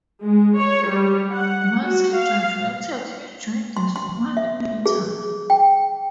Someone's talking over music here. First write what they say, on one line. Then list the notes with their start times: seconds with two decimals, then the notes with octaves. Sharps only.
Once he graduated he joined the Somali military.
0.24 G#3
0.59 C#5
0.89 G3
1.32 F#5
1.83 F#4
2.15 F5
3.77 C6
3.96 C6
4.37 E5
4.86 G#4
5.50 G5